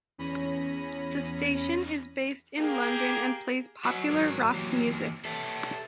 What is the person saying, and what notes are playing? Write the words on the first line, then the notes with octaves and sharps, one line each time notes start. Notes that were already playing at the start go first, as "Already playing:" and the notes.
The station is based in London and plays popular rock music.
E2 C#4 B5 A#6 D#7
A#3 G4 G#4
F#3 D#5 F#5
G#2 G#3 A#4
E3 A#3 G4
G4 A4 B4 E5